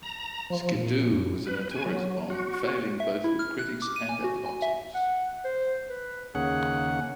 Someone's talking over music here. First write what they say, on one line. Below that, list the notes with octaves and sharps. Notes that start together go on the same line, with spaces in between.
"Skidoo" was a notorious bomb, failing both with critics and at the box office.
A#5
F3
A#2
F#2
B4
G#5
F#3
F#4
E5
E4
F6
F#6
D6
D#7
G#5
F#4
G#5
E5
F#5
C5
B4
D#2 C#3 G#4 F#5